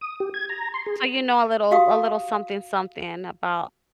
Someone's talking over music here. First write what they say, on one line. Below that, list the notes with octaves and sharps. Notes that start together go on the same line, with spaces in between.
So, you know, a little a little something something about
D#6
G4
G#6
A#5
C6
G#4
F#4 G4 F5 C#6 D#6